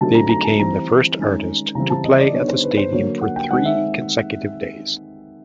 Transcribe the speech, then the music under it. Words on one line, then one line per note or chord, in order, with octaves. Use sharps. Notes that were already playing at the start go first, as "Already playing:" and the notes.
They became the first artist to play at the stadium for three consecutive days.
D3 F#3 A3 C4 D#4 A5
A#5
A#5
A5
E3 G3 C4 A#5
D#3 G#3 C#4
C#3 E3 G3 C4 A#5
A5
D#5
D5
D3 G3 B3 D#4 C#5
C5
B4
C5
D3 F#3 A#3 C#5
F#5
G5
D#3 G#3 C4 D#4 F#5
E5